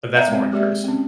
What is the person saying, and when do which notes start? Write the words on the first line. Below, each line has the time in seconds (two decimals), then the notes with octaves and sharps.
but that's more in person.
0.14 B3 D5 E5 F5 A#5
0.28 G#3 C4
0.52 G#3 A#3 G4 G#4 D5 E5
0.84 C4 C#4